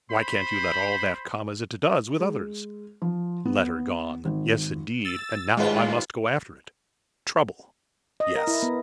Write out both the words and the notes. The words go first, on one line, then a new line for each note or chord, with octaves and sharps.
Why can't you let all that come as it does with others?' 'Letter gone;--yes indeed, and now I must go after it.' 'Trouble!--yes!
C5 B5
G#3
F3
B3
G#1
E6 A6
D#2 G#3 F4 B4
D#5
A#4
E4
B3